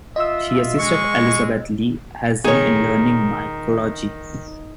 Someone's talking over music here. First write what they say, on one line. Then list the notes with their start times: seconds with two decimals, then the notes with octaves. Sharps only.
She assisted Elizabeth Lee Hazen in learning mycology.
0.16 F4 D#5 E5 E6
0.79 G#3 C#6
2.44 D#3 G#4 C#5